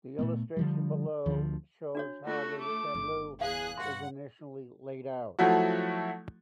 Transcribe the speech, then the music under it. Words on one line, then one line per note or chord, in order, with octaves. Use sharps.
The illustration below shows how the tableau is initially laid out.
A#2 A3 B3
D3 F3 G3
D2 D3 F3
D4 F#4 C#5
A3 F4 F#4
D6
G1
E2 G#4 F5 F#6
G2 F#4 F#5 C6
F3 F#3 A3 E4 F#4